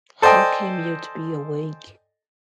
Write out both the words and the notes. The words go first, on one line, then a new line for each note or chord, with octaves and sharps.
How came you to be awake?
A4 C5 D5 D#5 G5 G#5